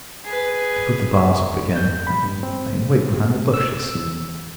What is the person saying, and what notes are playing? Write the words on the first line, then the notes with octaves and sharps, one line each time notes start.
I put the bars up again, and lay in wait behind the bushes.
G#4 B4
G6
B5
G2
C4
E6
E2